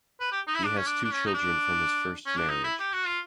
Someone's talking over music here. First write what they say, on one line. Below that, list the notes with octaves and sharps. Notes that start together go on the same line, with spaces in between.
He has two children from his first marriage.
B4
G4
D#4
E4
D4
C#4
D4
D4
C#4
D#4
D4
C#4
D4
D#4
E4
G4
F#4
F4